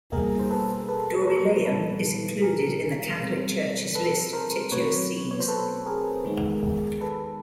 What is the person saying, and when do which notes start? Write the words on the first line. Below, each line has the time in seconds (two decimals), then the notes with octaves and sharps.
Dorylaeum is included in the Catholic Church's list of titular sees.
0.12 B2 G3 A#3 G#4 A#4
0.39 C5
0.51 A4 B4
0.88 A4 B4
1.22 B4
1.27 A#4 C5
1.65 A#2 G3 B3 A4 B4
2.42 G#4 A#4
3.18 B2 G3 C4
3.95 A4 B4
4.33 A#4 C5
4.71 B2 F#3 A3 C4 B4 C#5
5.31 C#5
5.40 C5
5.48 A4 B4
5.86 G#4 A#4
6.25 D#3 G#3 B3
7.01 A4 B4